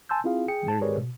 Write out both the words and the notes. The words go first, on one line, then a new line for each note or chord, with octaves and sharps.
There you go.
G#5 A5 C6 E6 G6
C4 E4 F4 G#4 F5
G#4 G5 C#7
A5
G4 G#4 A#4 B4 C#5 D5
B2